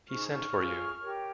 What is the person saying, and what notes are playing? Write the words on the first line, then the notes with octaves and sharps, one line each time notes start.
He sent for you.
D#4 G#4 C5 C#6 F6
C#6 F6
F4 G#4 C#5
G4 A#4 C#5